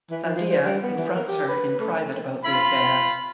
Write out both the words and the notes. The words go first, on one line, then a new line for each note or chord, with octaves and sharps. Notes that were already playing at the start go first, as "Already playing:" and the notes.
Sandhya confronts her in private about the affair.
E3
F3
F3
C5
G3
B3
E3
A#4
G4
B4
A3
F4 B5